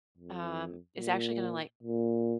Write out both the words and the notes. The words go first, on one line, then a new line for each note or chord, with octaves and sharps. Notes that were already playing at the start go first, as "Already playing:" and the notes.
um, is actually gonna, like
F2
A#2
A#2